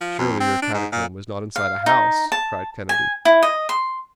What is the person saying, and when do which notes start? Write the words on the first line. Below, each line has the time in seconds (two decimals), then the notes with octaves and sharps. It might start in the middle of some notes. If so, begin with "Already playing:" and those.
"Surely your catacomb is not inside a house!" cried Kennedy.
0.01 F3
0.19 F2
0.40 C4
0.62 D4
0.74 G#2
0.92 A#2
1.56 F5
1.86 D#4
2.32 A5
2.89 G#5
3.25 E4
3.43 D#5
3.69 C6